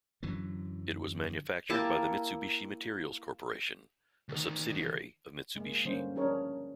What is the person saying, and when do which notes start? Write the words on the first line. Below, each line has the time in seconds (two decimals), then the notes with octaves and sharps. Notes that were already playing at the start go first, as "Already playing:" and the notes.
It was manufactured by the Mitsubishi Materials Corporation, a subsidiary of Mitsubishi.
0.23 F#2 D3 E3 F#3
1.70 A#3 E4 G4 A5
4.29 D2 D#3
5.56 G#3 A#3
5.85 D3 G3 A#3 C#4 C5
6.15 F3 C#4 D4 G#4 A#4 C#5